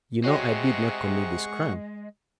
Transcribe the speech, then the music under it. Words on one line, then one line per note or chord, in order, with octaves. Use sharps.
"You know I did not commit this crime."
C3 G#3 F#4 G#4 C#5 F#5 G5 C#6